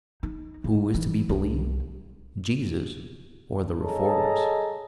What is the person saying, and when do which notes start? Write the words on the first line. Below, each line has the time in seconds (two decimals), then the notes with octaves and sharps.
Who is to be believed, Jesus or the Reformers?
0.23 D#4
0.64 C#3
0.94 E3
1.29 C2
3.83 G#4 A4 C#5 D#5 A5 A#5